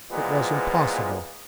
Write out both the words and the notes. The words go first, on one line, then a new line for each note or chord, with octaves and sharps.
It was impossible.
A#2 E3 F3 G#3 B3 F4